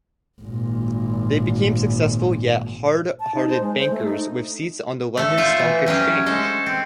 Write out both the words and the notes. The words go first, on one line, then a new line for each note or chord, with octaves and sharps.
They became successful yet hard-hearted bankers, with seats on the London Stock Exchange.
G#1 A#2
A5
D#4
C5
G#3
C5
A3
D#4
A3 A4
F4 C5 E5
E3
F#3 C#4 G4 G#4
G#3 A4 C5
C4